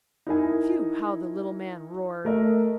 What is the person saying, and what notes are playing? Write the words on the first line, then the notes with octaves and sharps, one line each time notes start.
Phew! how the little man roared.
D#4 E4 A#4 G#5
A3 A#4 D#5